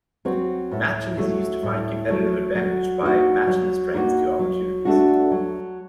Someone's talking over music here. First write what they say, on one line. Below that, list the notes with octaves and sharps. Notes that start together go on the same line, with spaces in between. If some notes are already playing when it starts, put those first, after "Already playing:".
Matching is used to find competitive advantage by matching the strengths to opportunities.
F#3 C4 F#4
A2
F#3 A3
A2
F#3 A3
F#3
A#3 D#4 F#4
F#3
A#3 D#4 F#4
F#3
A3 D4 F#4
F#3